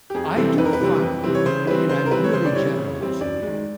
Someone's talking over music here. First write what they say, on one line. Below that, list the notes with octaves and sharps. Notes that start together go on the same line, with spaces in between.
I do find it- and I'm really generalizing here-
G4
F2 G#4
C3 E3 G3 C4 A4
F2 B4
A#4
B4
C3 E3 G3 C4
F2
C3 E3 G3 C4
C#5
C#3 C5
E3 G3 C4 B4
C#3 C5
A#4
E3 G3 C4 B4
C#5
C#3 C5
D5
E3 G3 C4 C#5
C#3
E3 G3 C4
F#2 D5
D#3 G#3